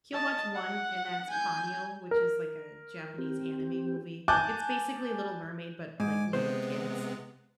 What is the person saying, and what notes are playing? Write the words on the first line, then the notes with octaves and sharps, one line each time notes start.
he'll watch one, and that's Ponyo, which is, like, a Japanese anime movie, it's basically Little Mermaid, but, like, little kids,
D#5 A5
F#5
G#5 G6
A#4
C4 G4
G#5 A5 D6 F#6 G6
G#2 G#5 D6
C3 G#3 B3 C5